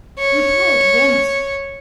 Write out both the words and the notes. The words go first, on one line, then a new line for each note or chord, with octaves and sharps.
Reply at once.
C#5